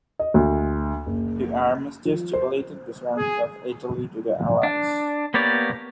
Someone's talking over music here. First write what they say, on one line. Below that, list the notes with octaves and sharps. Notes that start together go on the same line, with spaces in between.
The armistice stipulated the surrender of Italy to the Allies.
D#5
D2
F#1
F3
C5
G#4
D4
A#3 B3 G4 C#5 D5